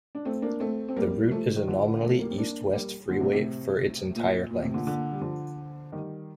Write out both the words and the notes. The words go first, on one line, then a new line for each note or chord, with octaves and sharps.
The route is a nominally east-west freeway for its entire length.
D4
A3 C4
A#3 D4
A3 C4
C4
G3 A#3
F3 A3
D#3
D3 F3
F3 A3
G3 A#3
C4
A#3 D4
G3 A#3
A#2 D3
A2 C3
A2 C3
A#2
A#2
A2 C3
A#2 D3
A#2 D3
G3
D3 F3
D#3 G3